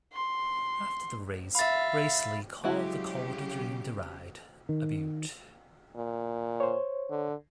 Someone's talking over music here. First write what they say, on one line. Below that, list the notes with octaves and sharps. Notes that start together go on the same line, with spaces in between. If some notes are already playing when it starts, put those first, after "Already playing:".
After the race Breasley called the colt a dream to ride, a beaut.
C6
E5 F5 B5 A6
C#3 F#3 G#3 E4 F#4 G4
D#3
A#2
C5 C#5
D3